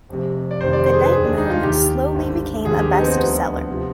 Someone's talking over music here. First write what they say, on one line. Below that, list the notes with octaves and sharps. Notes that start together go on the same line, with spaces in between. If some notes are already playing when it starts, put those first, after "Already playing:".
"Goodnight Moon" slowly became a bestseller.
F1 F2 C3
D5
F1 F2 C3 D#3 C5
D5
C5
G#4
B4
D#2 D#3 G#4
D4
D#4
F4
D#2 D#3 G4
G#1 G2 D3
D#2 D3 F3 G#4
G4
D#4
B3
C4
D2 D3 F3 B3
C3 F3